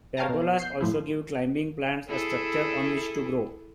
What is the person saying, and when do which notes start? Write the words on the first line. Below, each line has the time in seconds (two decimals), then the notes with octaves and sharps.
Pergolas also give climbing plants a structure on which to grow.
0.17 C#5 F5 G5 A5 A#5
0.29 B2
0.59 G6 C7
0.81 A2 F3 E4
2.09 E4 G#4 A4